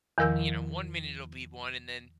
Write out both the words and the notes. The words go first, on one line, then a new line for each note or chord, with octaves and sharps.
you know, one minute it'll be one, and then
E2 D#3 F3 A#4 E6 G6